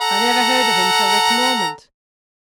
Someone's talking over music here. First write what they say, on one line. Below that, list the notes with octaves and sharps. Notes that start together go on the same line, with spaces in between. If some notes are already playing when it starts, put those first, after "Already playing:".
'I never heard of him till this moment.
A4 F#5 A#5